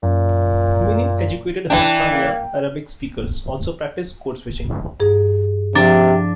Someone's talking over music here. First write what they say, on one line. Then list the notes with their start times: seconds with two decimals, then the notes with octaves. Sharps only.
Many educated Hassaniya Arabic speakers also practice code-switching.
0.03 F#2 A#2
1.70 E3 D4 G5
2.12 A#3
5.00 G2 G#4
5.75 C3 F3 D4 A#5